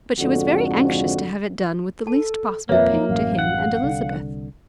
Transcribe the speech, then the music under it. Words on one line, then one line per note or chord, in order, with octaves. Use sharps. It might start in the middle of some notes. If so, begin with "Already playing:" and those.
But she was very anxious to have it done with the least possible pain to him and Elizabeth.
F2 G#2 D3 F#4
A4 A5
D#1 F2 F3 A#3 B4 C#5 E5
D#4
A1 F#2 F5
F#5
C2 D3